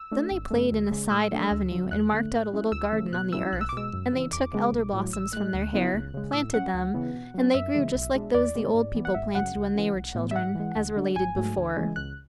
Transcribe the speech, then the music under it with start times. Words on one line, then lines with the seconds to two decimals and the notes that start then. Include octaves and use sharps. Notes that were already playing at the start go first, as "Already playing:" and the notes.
Then they played in a side avenue, and marked out a little garden on the earth; and they took Elder-blossoms from their hair, planted them, and they grew just like those the old people planted when they were children, as related before.
Already playing: E6
0.12 A3 D4
0.31 G#1
0.51 F#2 C#3 F#3 A3
0.71 D2
0.91 C#3 G#3
1.11 A2 E6
1.32 F#3 A3 D4
1.51 D2
1.72 D3 F#3
1.91 E2 F#6
2.12 D3 A3
2.32 A2
2.52 F#3 C#4 E4
2.72 D2 E6
2.92 C#3 E3 A3
3.13 B2 F#6
3.33 F#3 C#4 E4 E6
3.52 B1 F#6
3.61 E6
3.69 D6
3.73 B2 G#3 E6
3.93 F#2
4.13 C#3 E3
4.33 E2 D6
4.53 C#3 G#3 B3
4.73 B1
4.93 A2 F#3
5.13 A1 E6
5.33 A2 G#3 F#6
5.54 D2
5.73 C#3 F#3 B3 E4
5.93 C#2
6.14 C#3 G#3
6.33 A2 E6
6.54 F#3 C#4 F#5
6.74 D2
6.94 C#3 E3 B3
7.14 B2
7.34 F#3 C#4
7.54 F#2 E5
7.74 C#3 E3 G#3
7.94 B1
8.15 B2 G#3 D4
8.34 E2 D5
8.55 B2 G#3 B3
8.74 G#2
8.95 E3 B3
9.05 F#5
9.14 G#1 E5
9.35 F#2 C#3 F#5
9.55 C#2
9.75 C#3 E3
9.95 B1
10.15 A2 E3 B3
10.31 E5
10.36 G#2 F#5
10.55 E3 G#3
10.76 D2
10.96 D3 G#3 D4
11.16 G#1 G#5
11.36 G#2 F#3 A3
11.57 D2
11.77 C#3 E3 G#3
11.96 C#2 F#6